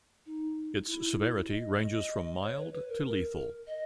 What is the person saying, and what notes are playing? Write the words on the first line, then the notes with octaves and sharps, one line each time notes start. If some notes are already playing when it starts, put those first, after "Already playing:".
Its severity ranges from mild to lethal.
D#4
E4
D#5
D#5
C#5
B4
B4
A#4
A#4
D#5